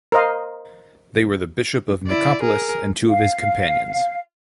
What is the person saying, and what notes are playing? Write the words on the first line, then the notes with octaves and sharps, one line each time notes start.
They were the bishop of Nicopolis and two of his companions.
A#4 C5 D#5 F5
E4 D5
G#4 A#4
F5